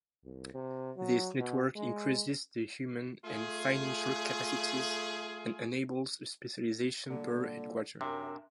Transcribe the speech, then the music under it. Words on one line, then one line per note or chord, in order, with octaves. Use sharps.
This network increases the human and financial capacities and enables a specialization per headquarter.
C2
C3
F#3
B2
G#3
A3 F4 G#4
C2 A#2 D3
F#2 C3 D4 A#4 E5